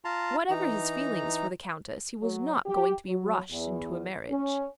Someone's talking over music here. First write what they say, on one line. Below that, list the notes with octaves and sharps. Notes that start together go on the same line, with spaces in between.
Whatever his feelings for the Countess, he was not going to be rushed into a marriage.
F4 A5 A#5 C6
E3 D#4 A#5
F#3
G4
F#3
E2
C#4